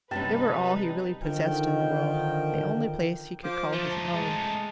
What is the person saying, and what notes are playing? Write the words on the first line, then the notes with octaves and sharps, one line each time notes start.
They were all he really possessed in the world, the only place he could call his own.
C3 G3 C#4 D#4 B4 A5
D3 D#3 F3 G5
F3 D6
A3 D#4 A5
G#3